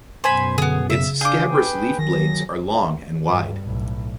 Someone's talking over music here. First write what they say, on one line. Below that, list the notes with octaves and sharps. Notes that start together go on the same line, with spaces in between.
Its scabrous leaf blades are long and wide.
F#2 B2 C5 G#5 B5
D3 B3 G#4
C#3 E5
D4 G#4 F5 D6 G6
B4 G5
D#3 F#3 A#6
G2
B1 A2